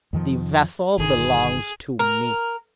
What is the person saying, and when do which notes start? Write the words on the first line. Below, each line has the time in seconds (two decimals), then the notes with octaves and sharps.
"The vessel belongs to me."
0.13 F2 D#3 F3
0.98 G1 D#3 G#4
1.99 A#4